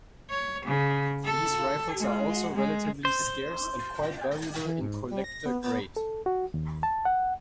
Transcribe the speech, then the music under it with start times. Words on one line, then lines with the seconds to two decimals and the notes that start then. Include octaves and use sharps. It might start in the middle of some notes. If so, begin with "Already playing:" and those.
These rifles are also relatively scarce, and quite valuable in collector grade.
0.30 C#5
0.65 C#3
1.25 A4
1.98 G#3
2.54 G#3
3.05 C5
4.65 E3
4.81 G#2
5.11 G3
5.24 A#6
5.46 B3
5.64 B3
5.96 A4
6.26 F#4
6.54 D#2
6.83 A5
7.05 F#5